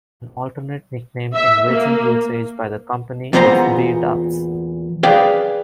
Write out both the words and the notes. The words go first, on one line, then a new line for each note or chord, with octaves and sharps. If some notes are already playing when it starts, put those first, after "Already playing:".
An alternate nickname in recent usage by the company is B-Dubs.
E5
A#3
E2 A#2 B3 C5 A#5
G#4 B4 D5 F5 G5